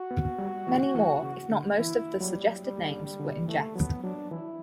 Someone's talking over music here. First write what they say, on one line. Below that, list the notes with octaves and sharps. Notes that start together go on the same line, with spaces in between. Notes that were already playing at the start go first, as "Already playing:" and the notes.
Many more, if not most of the suggested names were in jest.
Already playing: F#4
B3
G3
E3
E3
C#3
D3
E3 E4
F#3 G3
G3
D3
G3
D3
E3 A3
F#3 B3
F#3 D4
E3 E4